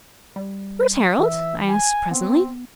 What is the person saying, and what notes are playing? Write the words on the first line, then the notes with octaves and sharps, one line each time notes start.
"Where's Harold;" I asked presently.
G3
E3 E5
G#5
B3 C4